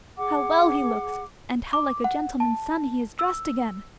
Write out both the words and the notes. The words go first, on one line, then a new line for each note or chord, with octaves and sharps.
'How well he looks, and how like a gentleman's son he is dressed again!
G#4 F#5 D6
D6
F#5
A5
E6